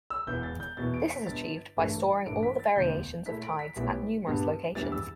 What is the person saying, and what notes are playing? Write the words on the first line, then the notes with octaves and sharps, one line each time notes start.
This is achieved by storing all the variations of tides at numerous locations.
E6
E1 E2 E3 G6
A6
G6
E2 B2 B3 E4 A6
D7
B6
G1 G2 D3 A6
A1 G2 E3 A3 D4
A1 G2 E3 A3 D4 D7
B6
A6
E1 D2 D3 G6
A2 A3 E4 B6
D7
B6
B1 A2 G3 B3 E4
G2 G3 B3 D4
E2 E3 G3 D4 A6
E6